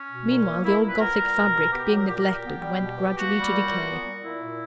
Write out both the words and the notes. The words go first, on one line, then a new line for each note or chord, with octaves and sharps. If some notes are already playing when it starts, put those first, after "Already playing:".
Meanwhile the old Gothic fabric, being neglected, went gradually to decay.
Already playing: C#4
B2
A#2
A#3
A#3 E4
A#2
B4
B3 A#4
G3
B2
B2
B3 G4
G4
F#3
A#4
A#2 G4
A#4
A#2
G4
B3
G3
B2
B2
A#3 F#4
G3
A#2
A#2
B3
G3
A#2 E4
A#2